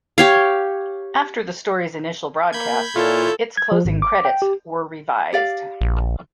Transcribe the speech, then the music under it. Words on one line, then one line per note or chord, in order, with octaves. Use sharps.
After the story's initial broadcast, its closing credits were revised.
G4 C#5 F5
A#3 B5 G6 G#6
A#2 E4 F4 A4 C#5 G6
G#6
F3
G#1
D6
G5
G4
G4 D5 F5
A#1